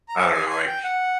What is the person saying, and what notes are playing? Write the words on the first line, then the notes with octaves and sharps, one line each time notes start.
I don't know, like,
A#5
A5
G#5
G#5
G5
F#5